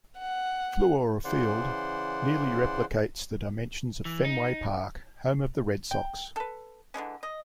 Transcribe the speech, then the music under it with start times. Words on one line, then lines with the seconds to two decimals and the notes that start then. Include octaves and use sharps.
Fluor Field nearly replicates the dimensions of Fenway Park, home of the Red Sox.
0.18 F#5
1.25 C#3 E3 C5 D5 F#5 C6
4.05 E3
4.25 D#4
5.91 G5
6.36 A4 B4
6.94 D3 E3 G#3 C#4
7.23 D#5